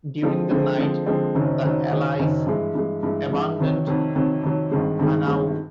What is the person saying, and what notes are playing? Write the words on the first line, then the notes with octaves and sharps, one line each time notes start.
During the night the allies abandoned Hanau.
D3 F3 G#3 C4
D3 F3 G#3 C4
D3 F3 G#3 C4
D3 F3 G#3 C4
F#1 F#2 D#3 F#3
F#1 F#2 D#3 F#3
F#1 F#2 D#3 F#3
F#1 F#2 D#3 F#3
G2 E3 G#3
G2 E3 G#3
G2 E3 G#3
G2 E3 G#3
F2 C3 D#3 F#3
F2 C3 D#3 F#3
F2 C3 D#3 F#3
F2 C3 D#3 F#3
G#1 G2 D#3 G#3
G#1 G2 D#3 G#3
G#1 G2 D#3 G#3